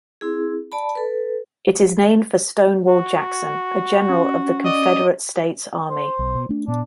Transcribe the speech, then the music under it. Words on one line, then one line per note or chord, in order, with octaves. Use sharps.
It is named for Stonewall Jackson, a general of the Confederate States Army.
C4 E4 G#4
D5 A5 B5
A4 B4
F#4
C#4
D5 D#5
C5
B1
B2
A3 D4
A#2 B3 D4